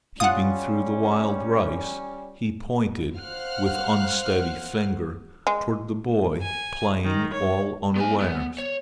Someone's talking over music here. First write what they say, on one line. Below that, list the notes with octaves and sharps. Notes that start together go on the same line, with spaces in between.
Peeping through the wild rice, he pointed with unsteady finger toward the boy playing all unawares.
G3 C#4 F4 F#5 D#6
C5 F5 F#5 F6 F#6
G#3
G#5
D#3
C#5
B3 G#5
B3
C#5